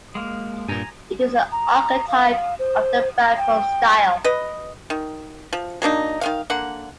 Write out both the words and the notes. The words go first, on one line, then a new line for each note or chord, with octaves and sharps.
It is the archetype of the Baphuon style.
G#3 A#3
G2 A#2 G#5 A#5
A#5
F5
C5
G5
B4 D#5
D#3
F3
F#3 A#3 D4 D#4
D#3 B3 F5
D3 A#3 F#5